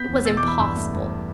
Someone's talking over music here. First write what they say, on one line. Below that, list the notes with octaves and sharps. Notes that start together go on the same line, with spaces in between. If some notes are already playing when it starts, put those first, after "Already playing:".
It was impossible.
Already playing: B3 G6 B6
E2
B2 E6 A6
D6 G6
E2 B5 E6
G2 B5 E6
A3
G2